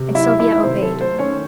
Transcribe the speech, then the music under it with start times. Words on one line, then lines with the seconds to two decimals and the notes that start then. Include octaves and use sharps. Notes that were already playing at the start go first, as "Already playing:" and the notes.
And Sylvia obeyed.
Already playing: C3
0.09 F#3
0.15 E4 E5
0.27 A3
0.39 E4 E5
0.45 D#3
0.63 C3 C5
0.82 F#3 A4
1.01 A3 C5
1.18 D#3 C#4 C#5